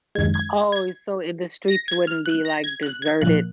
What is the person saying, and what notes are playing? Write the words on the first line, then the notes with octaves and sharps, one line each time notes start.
Oh, so the streets wouldn't be like deserted
F#2 D#3 G#3 G#6
G#6
G#6
A#6
G#6
F6
F#6
A#6
G#6
F#6
G#6
A#2 F3 A#3 F#6